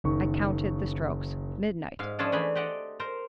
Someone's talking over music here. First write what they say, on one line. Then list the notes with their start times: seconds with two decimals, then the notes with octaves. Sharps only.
I counted the strokes--midnight!
0.04 F#1 D#3 C#6
1.99 G#2 F5
2.19 F3 C#4 D4 G#4 A5
2.32 E3 A3 D4 G#4 G#5 B5
2.55 G4 C5 D5 D#5 F#5 G5
2.99 A#4 C5 A#5